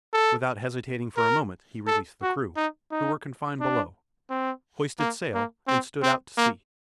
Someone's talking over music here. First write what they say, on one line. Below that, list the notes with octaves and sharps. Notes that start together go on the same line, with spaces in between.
Without hesitating for a moment he released the crew, who were confined below, hoisted sail and stood out to sea.
A4
A#4
A4
F#4
D#4
D#4
D4
C4
A#3
A#3
C4
C4
A#3